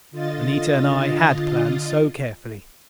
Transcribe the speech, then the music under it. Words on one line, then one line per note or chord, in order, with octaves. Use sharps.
Anita and I had planned so carefully.
D3 F4 D#5 A6